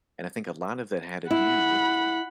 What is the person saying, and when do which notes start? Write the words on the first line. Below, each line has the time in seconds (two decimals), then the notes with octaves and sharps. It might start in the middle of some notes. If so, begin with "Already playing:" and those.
And I think a lot of that had to do,
1.31 E4 F#5 B5